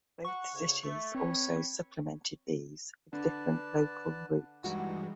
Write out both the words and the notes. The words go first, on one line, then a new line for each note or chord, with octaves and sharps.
Both cities also supplemented these with different local routes.
F#5 C#6
D2 C#3 C#5
A3 C#6
C4 B4 C#5
D3 B4 D5 A5
G2 E3 G3 G#3 D#4 F#4